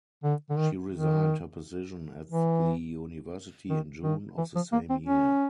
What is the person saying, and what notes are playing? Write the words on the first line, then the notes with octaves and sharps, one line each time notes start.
She resigned her position at the university in June of the same year.
D3
D3
D#3
D#3
E3
D#3
D#3
E3
F3
A#3
C4
C#4